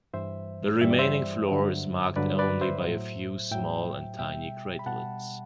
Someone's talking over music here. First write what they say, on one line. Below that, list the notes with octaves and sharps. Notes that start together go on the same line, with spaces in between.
The remaining floor is marked only by a few small and tiny craterlets.
G2 E3 G3 C5 E5
G2 E3 G3 E5
D5
C5 E5
G2 D3 F#3
G2 D3 F#3 B4 D5
B4 D5
C5 E5
A2 F#3
A2 F#3 E5 G5
B2 G3 E5 G5
B5
B2 G3 F#5 A5